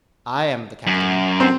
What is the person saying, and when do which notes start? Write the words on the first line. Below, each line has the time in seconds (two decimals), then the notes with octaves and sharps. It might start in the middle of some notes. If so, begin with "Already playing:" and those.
"I am the captain."
0.87 F#2
1.40 C4